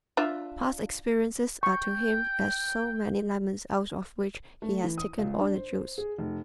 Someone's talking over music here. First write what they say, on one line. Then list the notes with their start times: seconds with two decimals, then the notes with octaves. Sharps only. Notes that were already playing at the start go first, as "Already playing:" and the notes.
Past experiences are to him as so many lemons out of which he has taken all the juice.
0.17 D4 F4 E5
1.63 G5 C#6
4.62 A3
4.84 E3
4.98 D#6
5.18 C#2
5.39 D4
5.54 C5
5.98 G#4
6.18 F1